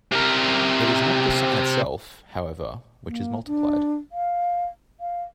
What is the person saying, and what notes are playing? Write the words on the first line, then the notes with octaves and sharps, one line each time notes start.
It is not the sign itself, however, which has multiplied.
C3 A#4
A#3
D4
F5
F5